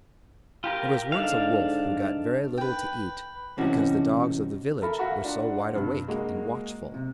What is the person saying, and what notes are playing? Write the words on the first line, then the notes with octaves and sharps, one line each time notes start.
There was once a Wolf who got very little to eat because the Dogs of the village were so wide awake and watchful.
F4 G4 A#4
G#2 D3 D4 D#4 F5
B4 G5
C3 E3 C#4 D#4 F#4
A4 A#4 E5 A#5 B5
F#4 E5 F5
D4 F4 F#5
G2 C3
G#3 A#3 F#4
C3